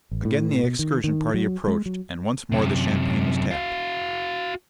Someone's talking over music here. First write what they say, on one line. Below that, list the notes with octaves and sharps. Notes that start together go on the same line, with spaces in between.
Again the excursion party approached, and once more the champagne was tapped.
A1
A2
B2
D#3
D#3
F#3
G#3
F#3
F#2 C3
F#4 F5